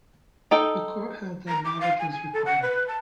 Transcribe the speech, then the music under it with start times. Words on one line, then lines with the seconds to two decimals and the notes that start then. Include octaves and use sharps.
The Court held that knowledge was required.
0.51 D#4 A4 G5
1.48 A#5
1.65 D6
1.81 F5
1.99 G#5
2.11 G#5
2.33 A4
2.46 F#5
2.63 B4
2.88 A5